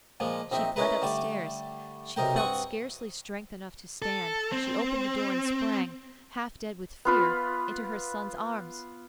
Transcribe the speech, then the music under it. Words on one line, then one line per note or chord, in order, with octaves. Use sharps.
She fled upstairs; she felt scarcely strength enough to stand; she opened the door, and sprang, half dead with fear, into her son's arms.
A#2 F3 G#3 A#3
A#1 C4 D#4 E5
C#4 D#4 E4 A#4 B4
D3 G3 A3 D5 D6
B1 C3 D#4 A#4 G5
G2 C4 F#5 G#5 C#6 D#6
A4
C4
B3 F4 B4